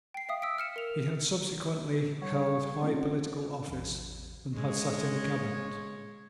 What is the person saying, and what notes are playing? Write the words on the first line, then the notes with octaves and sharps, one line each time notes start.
He had subsequently held high political office, and had sate in the Cabinet.
G5 C7
E5 F5 D#6
E6 B6 D7
F6 C#7 E7
A#4 F7
G3 C#5 F#5
A3 C4 C#4 F4
A1 E2 F3
G#3 C#5